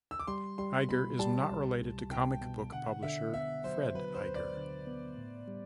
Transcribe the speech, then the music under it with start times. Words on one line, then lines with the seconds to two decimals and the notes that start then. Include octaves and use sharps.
Iger is not related to comic book publisher Fred Iger.
0.11 E6
0.19 D6
0.27 G3 C6
0.58 G3 C6
0.89 B2 B5
1.19 G3 A5
1.50 C2
1.81 C2
2.11 C2 G5
2.42 B2
2.72 D3 F#5
3.03 D3 E5
3.33 B3 E5
3.64 F#3 C5
3.94 F#3 B4
4.14 C5
4.26 D2
4.35 D5
4.56 D3
4.87 B3
5.17 A2
5.48 G3